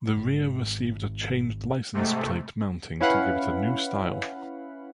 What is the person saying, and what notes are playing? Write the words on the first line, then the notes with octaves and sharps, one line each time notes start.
The rear received a changed license plate mounting to give it a new style.
G#1 G#2 D#3
G#2 C3 A3
C#4 E4 B4 F5 F#5 B5